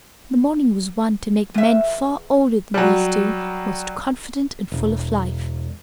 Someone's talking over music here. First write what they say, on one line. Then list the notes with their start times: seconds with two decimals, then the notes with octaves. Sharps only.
The morning was one to make men far older than these two most confident and full of life.
1.54 E2 E5
2.74 F#3 G3
4.72 E1